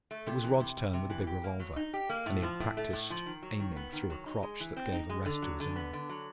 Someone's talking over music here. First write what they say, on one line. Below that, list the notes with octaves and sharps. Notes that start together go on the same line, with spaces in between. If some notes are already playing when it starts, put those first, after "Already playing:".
It was Rod's turn with the big revolver, and he had practised aiming through a crotch that gave a rest to his arm.
A3
C3
E3
C3
G3
C3
E3
G4
A#3
F#3
D#4
G4
A#3
A2
F3
A2
A3
A2
F3
D#3
F#3
D#3
B3
D#3
F#3
D#4
G#3
E3
C4
D#4
G#3
D3
F#3
D3
B3
D3
F#3